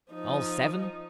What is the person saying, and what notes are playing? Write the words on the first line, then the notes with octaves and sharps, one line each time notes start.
"All seven?"
F3 D#4